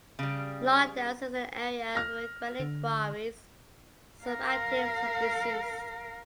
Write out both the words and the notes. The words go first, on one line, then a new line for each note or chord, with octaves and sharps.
Longdowns is in an area of granite quarries, some active some disused.
C#3 G3
F6 A#6
D3
A#4 F5